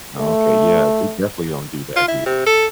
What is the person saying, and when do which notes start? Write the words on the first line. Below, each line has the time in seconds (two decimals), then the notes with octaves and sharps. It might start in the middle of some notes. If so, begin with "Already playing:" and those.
Oh, okay. Yeah. We definitely don't do that here.
0.20 A3
1.96 F4
2.08 E4
2.26 C3
2.46 A4